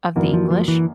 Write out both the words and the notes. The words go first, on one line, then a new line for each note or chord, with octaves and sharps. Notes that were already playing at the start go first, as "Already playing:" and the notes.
of the English.
F#2 D3 E3 F#3 A#3
F3
F3
E3